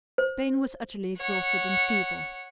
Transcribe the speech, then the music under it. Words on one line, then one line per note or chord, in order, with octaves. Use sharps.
Spain was utterly exhausted and feeble.
C5
C#5 F#5